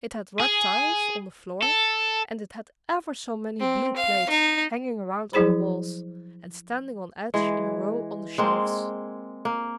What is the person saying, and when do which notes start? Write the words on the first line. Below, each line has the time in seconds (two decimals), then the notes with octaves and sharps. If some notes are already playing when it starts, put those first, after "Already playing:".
It had red tiles on the floor; and it had ever so many blue plates hanging around on the walls, and standing on edge in a row on the shelves.
0.40 G#4
1.62 A4
3.60 C4
3.96 F5
4.30 D#4
5.33 F3 F#3 E4 G#4 C5 B5
7.34 E3 G#3
8.38 G#3 A#3 C4
9.45 A#3